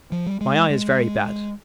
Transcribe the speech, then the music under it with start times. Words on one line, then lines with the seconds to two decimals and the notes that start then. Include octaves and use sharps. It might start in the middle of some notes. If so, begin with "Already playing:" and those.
My eye is very bad.
0.12 F3
0.26 G3
0.41 G#3
0.70 G#3